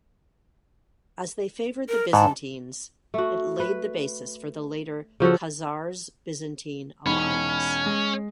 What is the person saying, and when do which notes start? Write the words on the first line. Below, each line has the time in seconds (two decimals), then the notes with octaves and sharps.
As they favored the Byzantines, it laid the basis for the later Khazars-Byzantine alliance.
1.89 A#4
2.13 G#2 A5
3.14 A3 F#4
3.60 B4
5.20 C#3 F3 F#4 A4
7.06 E1 C#4 D#4 B5
7.86 G#3